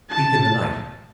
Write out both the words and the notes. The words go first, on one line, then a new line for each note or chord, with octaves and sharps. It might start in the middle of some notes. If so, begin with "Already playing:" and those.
Speak in the night.
A5